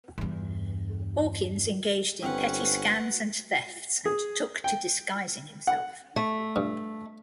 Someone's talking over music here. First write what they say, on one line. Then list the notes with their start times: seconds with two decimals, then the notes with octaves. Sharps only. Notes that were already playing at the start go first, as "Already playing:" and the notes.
Hawkins engaged in petty scams and thefts, and took to disguising himself.
0.18 E2 G2
2.22 G1 C4 C#4 B4 F#5
4.06 G#4
4.64 G5
5.67 F#5
6.16 A3
6.56 G2